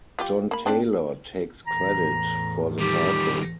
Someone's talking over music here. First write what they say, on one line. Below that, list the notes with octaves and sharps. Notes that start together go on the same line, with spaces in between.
John Taylor takes credit for the title.
G3 F4 G4
A#3 B5
C4 D4 G5
E2 A2 A#5
D#3 G3 G4